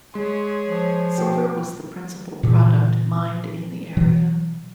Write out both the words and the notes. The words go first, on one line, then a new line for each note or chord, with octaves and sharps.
Silver was the principal product mined in the area.
G#3 G#4 C#5 C6
F3
B2 F#4 G5
A#2 C#3 E3
B2 E3 F#3